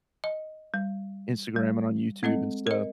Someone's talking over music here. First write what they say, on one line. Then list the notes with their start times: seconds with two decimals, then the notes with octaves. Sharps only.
Instagram and on YouTube and stuff.
0.24 D#5
0.74 G3
1.56 G3
2.23 G#3 C4 A4 D#5
2.67 A#4 D#5